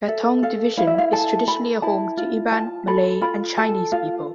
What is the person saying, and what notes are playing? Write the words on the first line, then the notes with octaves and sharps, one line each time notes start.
Betong division is traditionally a home to Iban, Malay and Chinese people.
A4 E5
A4 F5
E4 F5
E5
F5
A4 A5
A4 B5
E4 A5
F4
F4 A5
A4 B5
F4 B5
A4 A5
F4 F5